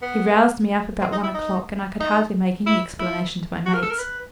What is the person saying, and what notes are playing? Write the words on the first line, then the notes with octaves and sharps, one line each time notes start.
He roused me up about one o'clock, and I could hardly make any explanation to my mates.
B3
C4
D#4
E4
D#4
D#4
E4
E4
F#4
A#4
A4
A#4
B4